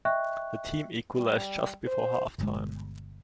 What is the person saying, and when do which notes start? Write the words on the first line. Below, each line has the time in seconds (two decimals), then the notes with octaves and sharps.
The team equalized just before half-time.
0.05 D#5 E5 G5 C#6 F#6
1.16 G3
1.87 C5
2.38 G1 B2 G#3